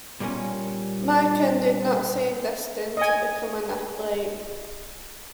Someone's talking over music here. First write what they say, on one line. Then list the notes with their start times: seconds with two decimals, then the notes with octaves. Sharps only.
Mikan did not seem destined to become an athlete.
0.20 A#2 G3 A#3 C4 C#4
2.97 D#5 G#5